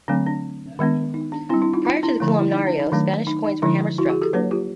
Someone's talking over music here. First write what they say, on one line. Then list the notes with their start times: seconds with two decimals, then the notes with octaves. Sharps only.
Prior to the columnario, Spanish coins were hammer struck.
0.08 D3 F#3 A3 C4 D4
0.26 D4
0.79 D#3 G#3 B3 D4
1.14 D#4
1.32 D4
1.49 C4 D4 E4
1.54 G3
1.62 D4 E4
1.73 D#4 F4
1.85 D#4 F4
2.03 D4 E4
2.20 D3 F3 A3
2.39 E4
2.52 D#4
2.67 D4
2.80 D#4
2.92 D#3 F#3 A3 D4
3.27 D#4
3.44 D#4
3.62 D3 F3 G#3 D4 E4
3.98 E4 F#4
4.10 F#4 G#4
4.22 G4 A4
4.33 F#3 A#3 D4 B4 C#5
4.51 F4 G4